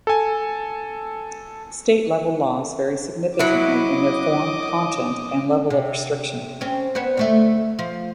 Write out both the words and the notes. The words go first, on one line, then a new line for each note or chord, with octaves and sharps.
State level laws vary significantly in their form, content, and level of restriction.
A4 G#5
F#3 E4 D#5 D6
C3
C4 C#4
B3 C5 C#5
D2 A3 E5
F3